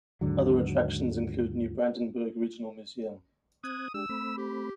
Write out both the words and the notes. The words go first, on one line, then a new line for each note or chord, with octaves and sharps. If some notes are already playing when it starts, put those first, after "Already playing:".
Other attractions include Neubrandenburg Regional Museum.
D#2 G#2 D3 F#3
C4 D#6 F#6 G#6
G#3 D4 G4 E6
A3 C4 B5
G4